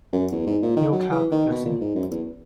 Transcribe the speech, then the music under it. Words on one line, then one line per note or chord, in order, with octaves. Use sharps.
Your cab, Gussie.
F#2
E2
G#2
A#2
D#3
F#3
E3
D#3
B2
A#2
G#2
F#2
E2